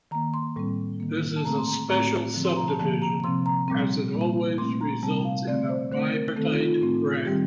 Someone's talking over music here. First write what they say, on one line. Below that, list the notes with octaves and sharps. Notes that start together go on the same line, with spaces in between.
This is a special subdivision, as it always results in a bipartite graph.
D#3 A#3 A#5
C6
A2 G3 C4
D#3 A#3
A5
D3 A3 C4 A#5
C6
A#5
A2 A3 C4 A#5
D3 F3 C4
C6
A#5
A5
D3 F3 A#3 A5
A#5
C3 F3 C4 C6
A#5
A#2 G3 C4
A#2 G3 A#3
A#2 A3 C4 C6
A#5
C3 G3 C4 A5
F5
D3 A3 C4 D5
C5
D3 A3 C4 C5
A#4
D#3 A3 C4 A4
D#4
F4
F4
A2 A3 C4
D#3 G3 C4 G4